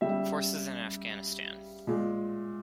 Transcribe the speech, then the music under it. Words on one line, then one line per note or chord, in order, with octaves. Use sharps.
Forces in Afghanistan.
C#3 G3 E5
A#2 G#3